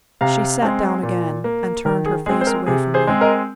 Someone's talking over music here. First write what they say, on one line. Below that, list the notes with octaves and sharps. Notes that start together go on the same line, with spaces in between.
She sat down again, and turned her face away from me.
C3 F5 A#5
G#3 C4
A#2
A#3
D#3 A#4
G#4
G#3 C4 G#4
C5
A#4
C3 G#4
G#4 C5
G#3 C4
A#4 D#5